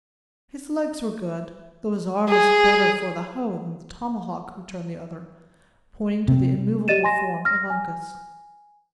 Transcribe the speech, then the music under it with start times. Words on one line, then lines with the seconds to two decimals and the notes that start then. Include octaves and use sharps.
"His legs were good, though his arm is better for the hoe than the tomahawk," returned the other, pointing to the immovable form of Uncas.
2.29 G#4
6.28 C3
6.88 G4 D5 D#5 A6 D#7 E7
7.04 G#5 C6 A#6
7.45 F6 A#6
7.70 G#5